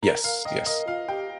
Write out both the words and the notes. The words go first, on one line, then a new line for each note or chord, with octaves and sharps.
Yes, yes.
A#4 A#5
A#4 F5
D#5 G5
A#4 D#5
F4 F5
G4 G5